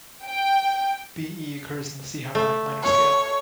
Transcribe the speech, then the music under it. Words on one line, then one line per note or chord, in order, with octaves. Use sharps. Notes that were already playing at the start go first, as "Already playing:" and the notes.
B-E occurs in the C harmonic minor scale.
G5
A3
C#5